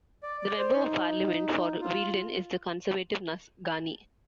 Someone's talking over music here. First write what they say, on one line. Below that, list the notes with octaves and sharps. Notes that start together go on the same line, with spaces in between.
The Member of Parliament for Wealden is the Conservative Nus Ghani.
D5
D5
C5
D#4
F4